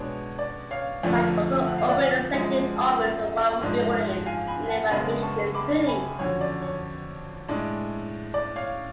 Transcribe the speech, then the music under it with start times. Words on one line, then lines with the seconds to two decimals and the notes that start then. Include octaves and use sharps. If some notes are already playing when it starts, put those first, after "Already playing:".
Wright also opened a second office in the Warren Building in nearby Michigan City.
Already playing: B2 G#3 B3 D4 C#5
0.39 D5
0.71 C#5 F5
1.03 F2 D3 F3 A3 D4
1.67 F#5
1.78 F5
1.88 D5 F#5
2.33 F#2 F3 G#3
3.61 G#2 F3 G#3 D4
4.26 F5 G#5
4.47 G#5 B5
4.68 F#5 A5
4.90 F#2 C#3 G#3 B3 D4 G#5 B5
5.22 A5 C#6
5.54 B5 D6
5.87 G#5 B5
6.19 F2 D3 F#3 C#4 C#5
6.41 D5
6.62 C#5
7.48 A2 G#3 D4
8.34 D5
8.56 C#5 F5